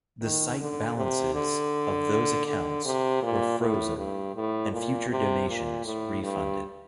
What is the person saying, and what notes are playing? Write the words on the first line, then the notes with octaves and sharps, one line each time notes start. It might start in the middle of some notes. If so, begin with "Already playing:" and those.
The site balances of those accounts were frozen and future donations refunded.
D#3
D3
C3
D3
D3
C3
A#2
A2
G2
A2
A#2
C3
A#2
A2
G2